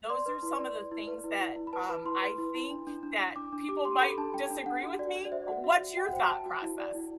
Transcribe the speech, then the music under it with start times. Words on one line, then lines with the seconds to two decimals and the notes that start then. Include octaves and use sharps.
those are some of the things that, um, I think that people might disagree with me. Uh, what's your thought process?
0.10 D5 C6
0.26 B4
0.43 E4
0.59 D5
0.75 D5
0.91 E4
1.07 B4
1.24 E4
1.40 E4
1.56 E4
1.67 B5
1.73 B4 A5
1.89 B4 B5
2.05 E4 C6
2.22 B4
2.38 E4
2.55 E4
2.71 D4
2.87 D4
3.03 D4
3.20 D4
3.36 D4 D6
3.52 D4
3.69 G4 D6
3.85 G4 C6
4.01 A4 B5
4.18 D4 A5
4.33 D4 G5
4.50 D4
4.66 D4 F#5
4.83 F#4
4.99 F#4 D5
5.15 F#4
5.25 D5
5.32 C5 E5
5.48 F#4 F#5
5.64 F#4 E5
5.80 F#4
5.97 F#4 G5
6.07 F#5
6.13 C5 G5
6.30 F#4 A5
6.46 F#4
6.62 E4
6.79 D5
6.95 E4